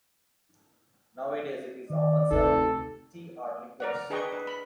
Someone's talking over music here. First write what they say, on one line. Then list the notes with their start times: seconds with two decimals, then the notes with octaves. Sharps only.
Nowadays, it is often served with tea or liqueurs.
1.90 D#3 D5
2.31 D2 C3 D#4 A4
3.80 A#4 D5 F#5
4.10 D4 G#4 B4 D#5 G5 C#6
4.32 B4
4.47 B5